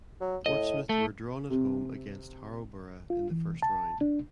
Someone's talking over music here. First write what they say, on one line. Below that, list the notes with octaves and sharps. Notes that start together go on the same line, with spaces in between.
Portsmouth were drawn at home against Harrow Borough in the first round.
F#3
A2 D#5
A3 A4
C3
F4
E3
A5
D4